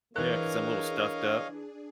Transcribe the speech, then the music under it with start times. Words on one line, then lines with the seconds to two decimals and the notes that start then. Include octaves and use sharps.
Yeah, 'cause I'm a little stuffed up.
0.16 E3 D4 G#4 A#4 C#5 D#5 F5 F#6